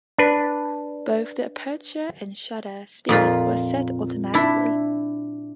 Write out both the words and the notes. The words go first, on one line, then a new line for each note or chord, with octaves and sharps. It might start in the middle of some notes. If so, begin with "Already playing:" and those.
Both the aperture and shutter speed were set automatically.
D4 B4
F2 A#2 F4
D4 E4